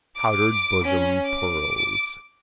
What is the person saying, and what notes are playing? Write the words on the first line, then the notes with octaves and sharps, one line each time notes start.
Powdered bosom pearls.
D6
C#4
D6